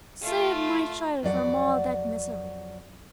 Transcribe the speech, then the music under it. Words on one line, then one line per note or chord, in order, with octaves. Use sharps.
Save my child from all that misery!
A3 F4
F2 F#3 D5 F#5